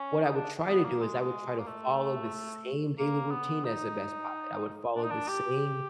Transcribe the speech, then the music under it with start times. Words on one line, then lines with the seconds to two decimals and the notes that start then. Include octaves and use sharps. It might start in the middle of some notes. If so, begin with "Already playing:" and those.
what I would try to do is I would try to follow the same daily routine as the best pilot, I would follow the same
Already playing: C#4
0.24 D#4
0.35 D4
0.68 B3
0.85 A#3
1.01 G#3
1.59 A#3
1.67 A3
2.99 A#3
3.31 B3
3.64 D#4
4.96 D4
5.03 D#4
5.11 D4
5.28 G4